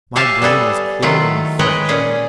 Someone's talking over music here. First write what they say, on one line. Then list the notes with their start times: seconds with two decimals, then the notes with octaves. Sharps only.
My brain was clear and refreshed.
0.16 G4 C#5 E5 F5 G#5 A5
0.42 G3 B3 G#4 A4
1.02 D#3 F#3 A3 E4 F4
1.59 G#3 B4 C#5 D#5 G5
1.89 A#2 C#4 G#4